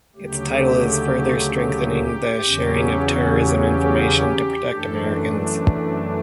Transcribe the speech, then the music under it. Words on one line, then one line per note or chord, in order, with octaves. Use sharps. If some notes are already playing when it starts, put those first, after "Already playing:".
Its title is Further Strengthening the Sharing of Terrorism Information To Protect Americans.
D2 C#3 F#3 A3 G4
G4
E2 C#3 F#3 C#4
F#4
G4
G4
F#2 E3 A3 D4 A4